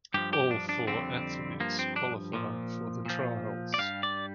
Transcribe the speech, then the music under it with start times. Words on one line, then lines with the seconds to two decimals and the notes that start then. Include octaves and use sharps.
All four athletes qualified for the trials.
0.14 G2 F3 G4
0.33 G4
0.51 D4
0.69 D4
0.87 F2 D3 G3 C4
1.60 G2 F3 A#3
1.79 C4
1.96 D4
2.33 A#2 F3
3.06 A#2 F3
3.74 D5
3.78 G2 G3 F5
4.03 D5